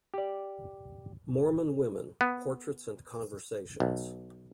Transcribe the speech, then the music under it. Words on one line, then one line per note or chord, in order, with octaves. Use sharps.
Mormon Women: Portraits and Conversations.
G4 D5
B3
B1